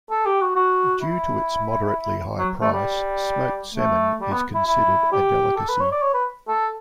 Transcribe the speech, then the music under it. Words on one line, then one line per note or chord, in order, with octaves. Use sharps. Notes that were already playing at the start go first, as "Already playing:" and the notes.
Due to its moderately high price, smoked salmon is considered a delicacy.
A4
G4
F#4
F#4
E4
F#3
A3
G3
A3
G3
B3
E4
E4
G4
A4
B4
C#5
D5
C#5
B4
A4